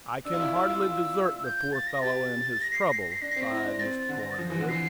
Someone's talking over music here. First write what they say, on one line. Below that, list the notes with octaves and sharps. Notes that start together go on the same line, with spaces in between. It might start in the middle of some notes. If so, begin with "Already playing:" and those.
"I can hardly desert the poor fellow in his trouble," sighed Mr. Cornwood.
D4 E6
F4
E4
F4
F4
F4
G6
A6
A#6
G4 A6
A#6
C7
A#6
C7
A#6
C7
D4 A#6
C4 C7
A#6
E4
D4
C4 A6
A6
D3
A6
A#6
A6
F3 A#6
E3
D3
E3 C7